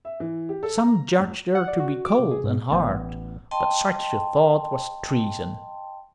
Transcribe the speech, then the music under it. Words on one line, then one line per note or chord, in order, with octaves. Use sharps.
Some judged her to be cold and hard; but such a thought was treason.
E5
E3
G4
A4
A#5
F1
F#5
D5
F#4
D6
C3
G#4
G#2
A1 B3 D5 G5
D#5 G5 A5 C6